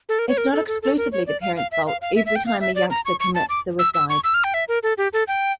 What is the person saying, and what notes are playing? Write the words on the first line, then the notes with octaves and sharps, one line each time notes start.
It's not exclusively the parents' fault every time a youngster commits suicide.
A4
A#4
C#5
A#4
A4
A4
A4
A#4
C#5
D5
F5
F5
E5
F5
F5
E5
E5
G5
F5
E5
D5
A#5
C#6
C#6
A5
D6
E6
E6
C#6
E6
F6
G5
E5
A#4
A4
G4
A4
G5